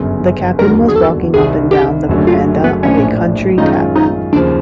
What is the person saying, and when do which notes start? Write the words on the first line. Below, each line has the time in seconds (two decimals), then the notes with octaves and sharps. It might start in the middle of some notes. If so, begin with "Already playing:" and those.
The Captain was walking up and down the veranda of a country tavern.
Already playing: G1 F#2 C#3
0.58 E1 D#2 D3 F#3 A#4
0.88 G#4
0.96 A4
1.34 C2 C3 D#3 G#4
1.71 G4
2.09 F#1 F#2 D3 F#3 A3
2.27 F4
2.64 B3
2.83 A#1 A2 F3 A3 C#4 D4
3.58 F#2 D#3 G#3 C#4 D#4 F4
3.96 D#4
4.33 D#2 C#3 F3 D4